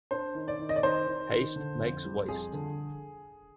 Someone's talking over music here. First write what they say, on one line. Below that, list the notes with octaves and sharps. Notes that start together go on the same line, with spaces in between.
Haste makes waste.
D4 C5
D#3
D5
D#3
D#5
D5
D#3 C5
D#3
D#3
D3
F2
G3
F2 G#4
D3